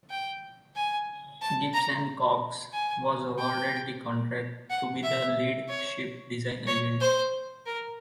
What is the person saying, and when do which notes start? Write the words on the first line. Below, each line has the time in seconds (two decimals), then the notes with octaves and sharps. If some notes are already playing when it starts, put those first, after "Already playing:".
Gibbs and Cox was awarded the contract to be the lead ship design agent.
0.10 G5
0.76 G#5
1.42 A5
1.74 A#5
2.73 G#5
3.38 G5
4.70 F#5
5.03 E5
5.69 C#5
6.67 C#5
7.00 C5
7.66 A#4